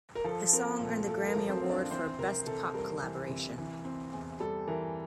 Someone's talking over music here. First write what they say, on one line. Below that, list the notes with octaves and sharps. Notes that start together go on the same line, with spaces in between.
The song earned the Grammy Award for "Best Pop Collaboration".
A#4
F3 A4
C4 A#4
A#2 A4
A3 A4
A#4
F3
C4 C5
C4
D4 D5
E3 C4 C5
C3 A#4
C3 A4
G3 A#4
E3
C3
E3
C4
E2
G3 A4
E3 A#4